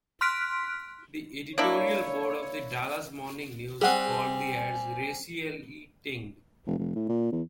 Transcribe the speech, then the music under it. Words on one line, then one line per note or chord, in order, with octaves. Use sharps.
The editorial board of the "Dallas Morning News" called the ads "racially tinged".
C6 F6 F#6 B6 D7
A#3 D4 E4 C#5
G3 C4 G#4 F#5 G#5
F1
F1
A2
A#2
E2